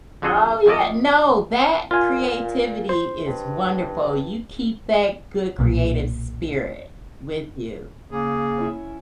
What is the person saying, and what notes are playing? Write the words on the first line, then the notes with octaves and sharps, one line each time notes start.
Oh yeah. No, that creativity is wonderful, you keep that good creative spirit with you.
F2 D3 F#4 G#4 A4 F#5
F2 G#2 D#3 E4 D5 D#5
A#2 F4 G#5
C5
G2
B1 A#2
C#3 A#3 G#4
C#4 E4 E5